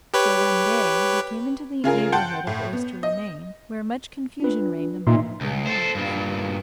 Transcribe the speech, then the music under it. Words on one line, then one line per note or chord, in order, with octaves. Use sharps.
So, one day, they came into the neighbourhood of Oyster-le-Main, where much confusion reigned among the good monks.
G4 B4 C#5
C#3 F4 G#4 A#4
F#5 G5 A5 C6 G6
A2
B3
D#5
D4 F4 B4
A#2 D#4 E5 C6
C#2
A4 C5
G2 A#2